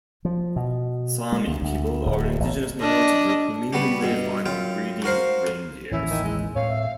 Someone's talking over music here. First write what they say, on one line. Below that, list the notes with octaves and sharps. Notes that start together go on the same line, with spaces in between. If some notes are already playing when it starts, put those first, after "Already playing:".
Sami people are an indigenous minority group who mainly live on breeding reindeers.
F3
B2
G#3
D2
D2
D1
A1
D4 D#5
G3 B3 F#4 G4
G2 B2
F#2 F4 G5
F#4 A#4 C5 F5
A1 D#2 C#4 E4
D#3
G#3
A2 C4 C#5 F5
E5